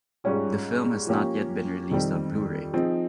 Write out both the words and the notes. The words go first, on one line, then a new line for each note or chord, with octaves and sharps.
The film has not yet been released on Blu-ray.
G#2 G3 C#4 F4
F3 A#3 C#4 G4
F2 D#3 G3 C4
F3 C4 D#4 G#4